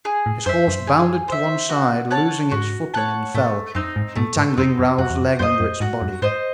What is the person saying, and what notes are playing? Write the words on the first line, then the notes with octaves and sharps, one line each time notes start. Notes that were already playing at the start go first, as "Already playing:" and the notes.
His horse bounded to one side, losing its footing, and fell, entangling Raoul's leg under its body.
G#4
A2
F#2 C5 E5
F#2
G#4
C5 E5
F#4
C#5 F#5 A5
G#2 F#4
C#5 F#5 A5
A2 A3
F#2 C4 D#4
G#2
G#2 A3
G#2
F#2 C4 D#4
F#2
F#2 F#4
E2
F#2
F#2 C5 D#5
F#2
G#2 F#4
F#2
G#2 C5 D#5